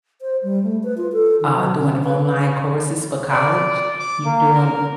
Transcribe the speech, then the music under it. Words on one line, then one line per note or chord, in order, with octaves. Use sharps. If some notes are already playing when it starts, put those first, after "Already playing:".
uh, doing online courses for college. You doing,
C5
G3
A3
B4
F4
A4
D#3
F#3
C#4
B4
D5
D6
A#3
A#4